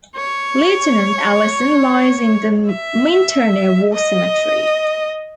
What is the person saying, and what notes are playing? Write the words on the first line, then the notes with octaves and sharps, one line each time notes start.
Lieutenant Allison lies in the Minturno War Cemetery.
C#5
E5
D#5